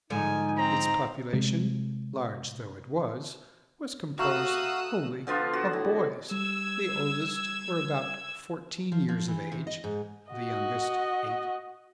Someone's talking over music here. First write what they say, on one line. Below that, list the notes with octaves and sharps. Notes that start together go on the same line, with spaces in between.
Its population, large though it was, was composed wholly of boys. The oldest were about fourteen years of age, the youngest, eight.
G#2 D3 F3 D#4 G#5
C4 A#5
C3 G#3 C4
A3 F#4 F5 A#5 D#6 E6 F#6
D3 F3 B3 F4
F#4
A2
G3 E6 G#6
F3
F3
E3
C3
D#5
G#2
F#4 D#5